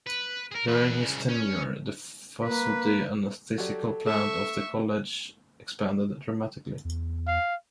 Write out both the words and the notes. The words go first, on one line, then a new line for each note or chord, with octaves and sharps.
During his tenure, the faculty and physical plant of the college expanded dramatically.
B4
G#4 A#4
E2 B4
C2 C#3
C#4
A#3 B4
F#3 G4 A4 D5
A3 E5 C#6
E2
F5